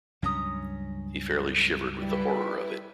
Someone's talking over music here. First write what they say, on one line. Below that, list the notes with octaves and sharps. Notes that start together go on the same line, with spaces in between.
He fairly shivered with the horror of it.
C#2 G2 F#3 C#4 A#5 D#6
G3 E4 B4